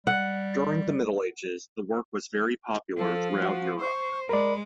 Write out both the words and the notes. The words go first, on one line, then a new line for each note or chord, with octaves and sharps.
During the Middle Ages the work was very popular throughout Europe.
G3 F#5
F3 A4
F#4
C5 C#6
G#3 A#4 D5 B5